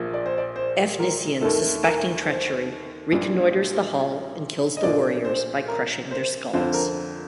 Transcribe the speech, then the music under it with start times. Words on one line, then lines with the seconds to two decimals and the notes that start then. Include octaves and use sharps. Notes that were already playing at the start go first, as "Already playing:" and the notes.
Efnisien, suspecting treachery, reconnoitres the hall and kills the warriors by crushing their skulls.
Already playing: A#1 A#2 F3 A#3
0.14 D5
0.26 C5
0.38 D5
0.56 C5
0.99 A#4
1.41 D#2 D#3 A3 A4
1.84 A#4
2.27 C5
3.12 A#1 A#2 G3 D4
4.77 D#5
4.83 A#1 A#2 F3 A#3 D4 D5
5.25 C5
5.68 A#4
6.11 C5
6.53 F2 D3 F3 C4 F4 C5
6.74 A#4